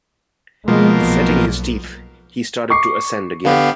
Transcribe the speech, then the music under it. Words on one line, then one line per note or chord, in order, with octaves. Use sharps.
Setting his teeth, he started to ascend again.
B2 F3 G#3 A#3
B1
C#6 D6 C7
D3 B3 G4 F5